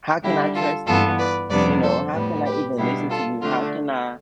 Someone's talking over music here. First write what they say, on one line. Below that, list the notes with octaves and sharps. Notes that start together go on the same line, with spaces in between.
"How can I trust you?" You know, "How can I even listen to you? How can I
D3 G3 D4 E4 G4
F4 A4
G2 E3 B3 F4 A4
B4 D5
F2 C3 G3 B3 D4 B4 D5
A4 C5
A2 G3 B3
G4 B4
B2 G3 D4 E4 G4
F4 A4
D3 A3 D4 F4